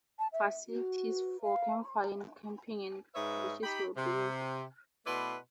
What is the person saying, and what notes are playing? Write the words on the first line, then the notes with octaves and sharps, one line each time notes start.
Facilities for campfire and camping, and bridges were built.
A5
E5
F#4
F5
G#2 B4 C#5 D#5 E5
D#4 G4 G5 B5
C3
B2 A3 E4 B4 D5 C6